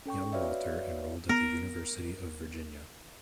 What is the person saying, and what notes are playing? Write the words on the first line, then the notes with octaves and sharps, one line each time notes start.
Young Walter enrolled at the University of Virginia.
C#4 A4 G5 C#6
F#4 B4 C#5 D5 E5 F5
B3 A#4